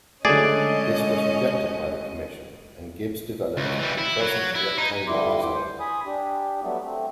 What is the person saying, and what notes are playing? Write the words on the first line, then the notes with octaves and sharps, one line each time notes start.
This was rejected by the commission, and Gibbs developed the present rectangular design.
D3 F#3 G#3 A3 C#4 G#4 D5 D#5
C#2
E3 G3
E4
F#3
E4
D#4
G2 D3 G3 E4 C6 D6
C5
G#5 B5 D#6
D4 G4
F#3 G3 A3 B3
A3 C4